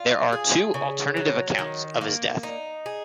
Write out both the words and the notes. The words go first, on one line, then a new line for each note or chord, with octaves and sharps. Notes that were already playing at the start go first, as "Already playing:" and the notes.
There are two alternative accounts of his death.
Already playing: F4
G#4
C#3
F#3
D#3
A#3
D#4
G#4